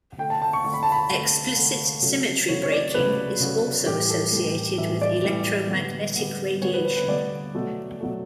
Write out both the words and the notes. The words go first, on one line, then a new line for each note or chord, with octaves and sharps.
Explicit symmetry breaking is also associated with electromagnetic radiation.
D3 A3 G5
A5
A5
C#6
D3 A3 C#6
B5
A5
B5
D3 A3
D3 A3
C#3 F#3 A3
C#3 F#3 A3 C#5
C#5
D5
C#3 F#3 A3 B4
C#3 F#3 A3
A2 E3 G3 G4
A4
A2 E3 G3 A4
A2 E3 G3 E5
D5
A2 E3 G3
D3 G3 B3
D3 G3 B3
D3 G3 B3 C#5
B4
B4
B4
D3 G3 B3 D5
B2 F#3 A3
B2 F#3 A3